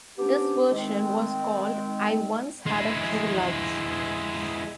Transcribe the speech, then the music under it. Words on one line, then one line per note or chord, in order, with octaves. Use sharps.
This version was called "I Once Had a True Love".
C3 B3 C#4 D4 G4
D#3 G#3 C4
G#3 E4